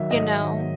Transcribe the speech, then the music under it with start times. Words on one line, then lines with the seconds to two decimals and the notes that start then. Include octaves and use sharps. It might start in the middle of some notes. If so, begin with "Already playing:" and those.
you know,
Already playing: D#3 F#3 E5
0.10 G#2 D#5
0.39 D#3 F#3